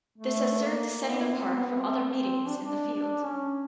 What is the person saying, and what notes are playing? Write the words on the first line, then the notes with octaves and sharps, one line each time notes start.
This has served to set it apart from other meetings in the field.
A3
A#3
B3
C4
B3
B3
C4
C4
D4
D4
D4
C#4